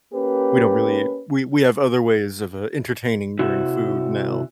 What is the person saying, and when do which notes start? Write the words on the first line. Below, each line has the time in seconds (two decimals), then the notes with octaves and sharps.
we don't really we we have other ways of, uh, entertaining during food now
0.13 A#3 C#4 G4 B4
3.39 C3 E4 F#4